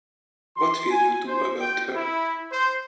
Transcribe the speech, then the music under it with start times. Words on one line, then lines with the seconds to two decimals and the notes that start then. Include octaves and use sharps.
What will you do about her?
0.57 C6
0.90 G#5
1.26 C5
1.59 G5
1.95 E4
2.50 C5